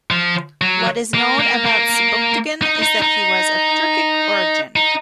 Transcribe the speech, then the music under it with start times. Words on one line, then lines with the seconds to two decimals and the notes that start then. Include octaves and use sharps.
What is known about Sebuktigin is that he was of Turkic origin.
0.11 F3
0.62 F#3
1.14 A#3
1.40 A#3
1.66 A#3
2.62 D#4
2.82 D#4
3.02 D#4
4.76 D#4